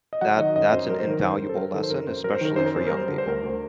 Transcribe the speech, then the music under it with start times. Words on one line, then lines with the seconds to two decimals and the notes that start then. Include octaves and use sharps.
that that's an invaluable lesson, especially for young people.
0.13 D#5
0.21 F#3 F#5
0.38 D#3 D#5
0.56 F#2 D#5
0.72 F#2 C5
0.90 F#3 A#4
0.99 C5
1.07 D#3 A#4
1.22 F#2 C5
1.39 F#2
1.49 A4
1.56 F#3 A#4
1.73 D#3 A4
1.83 C5
1.90 F#2 A#4
2.07 F#2 C5
2.24 F#3 A#4
2.35 C5
2.41 D#3 A#4
2.56 F#2 C5
2.66 A#4
2.75 F#2 C5
2.87 A#4
2.92 G3 C5
3.08 D3 A#4
3.18 C5
3.26 D2 A#4
3.43 D2
3.49 A#4